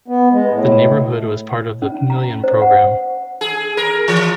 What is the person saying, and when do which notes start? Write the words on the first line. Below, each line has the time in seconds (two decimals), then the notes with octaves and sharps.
The neighbourhood was part of the Million Programme.
0.08 B3
0.32 G#3
0.50 A2
1.82 C#4
2.10 A#5
2.44 C5
2.62 F#5
3.41 G#4
3.77 A#4
4.08 E3